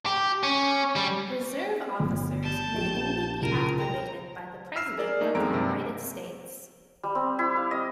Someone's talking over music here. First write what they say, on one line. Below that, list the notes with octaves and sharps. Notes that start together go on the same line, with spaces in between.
Reserve officers may only be activated by the President of the United States.
G4
C#4
G3
G1
A5 G6
A#1 G4
C#2 A#4 G#5 A5
G5 A#5
E6 F6 C7 E7
G#4 A#4 D5
A3 A#3 D#4
E2 G#3 A#3 C4 A#5 D7
G2 C3
G3
C4
E4
F5
D#5